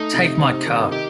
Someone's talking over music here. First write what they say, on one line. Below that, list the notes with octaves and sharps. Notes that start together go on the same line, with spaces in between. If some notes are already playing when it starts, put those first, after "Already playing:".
Take my car.
Already playing: A3 D#4
C3
C4
D#3
D#4 G4